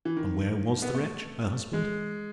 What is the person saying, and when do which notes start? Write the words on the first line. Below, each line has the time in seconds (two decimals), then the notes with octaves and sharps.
And where was the wretch, her husband?
0.05 E3
0.17 D#3
0.82 B3
0.95 A3
1.73 G#3